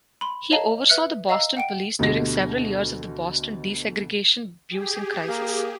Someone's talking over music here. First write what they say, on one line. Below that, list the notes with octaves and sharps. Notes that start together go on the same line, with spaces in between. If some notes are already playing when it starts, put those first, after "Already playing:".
He oversaw the Boston police during several years of the Boston desegregation busing crisis.
B5 C6
C#5 D#5 F5 A5 A#5
B4 E5 F6 F#6 C#7
D#5 F5 A#5 E6
F#5 G5 D7
D2 B2 D3 G4 D#5 A#6
G4 G#4
A#3